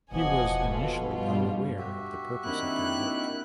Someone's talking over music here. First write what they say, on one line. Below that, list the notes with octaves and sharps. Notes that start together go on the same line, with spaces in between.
He was initially unaware of the purpose of their work.
E1 B2 E3 F3 A#3 D#5 F#5 G#5
B2 F3 F4 A4 B4
G2 G3 F4
F#4 G4 E5
D#3 A#3 C4 D4 E4 F#6